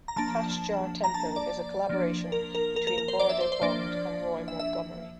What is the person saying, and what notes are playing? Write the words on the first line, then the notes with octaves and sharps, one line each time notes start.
Hash Jar Tempo is a collaboration between Bardo Pond and Roy Montgomery.
A#5
F3 A#3 D4 A5
A#5
A5
D5
F3 A#3 D4
A#4
A#4
A#4
A#4
A#4
C5
D5
E5
C5
C5
F3 A#3 D4 D5
E5
E5